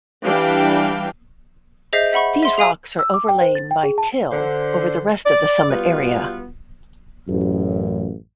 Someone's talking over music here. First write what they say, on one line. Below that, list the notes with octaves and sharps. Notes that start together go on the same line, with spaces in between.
These rocks are overlain by till over the rest of the summit area.
E3 G3 D4 F5 G5
G#4 C5 D#5 E5 G6 C7
E5 F#5 B5 C#6
E5 C6
G#4 F5 G#5 D#6
E6
D6
G5
C5
A6
G5
G#4
A5
D3 C5
D5
G3 B3 F4 F#4 B4
A1 F#2